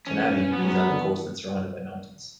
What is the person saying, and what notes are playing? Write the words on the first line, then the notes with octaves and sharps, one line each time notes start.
Tanabe is on the coast and surrounded by mountains.
E3 C#4
F#3 B3
C#4
B3
D3
E3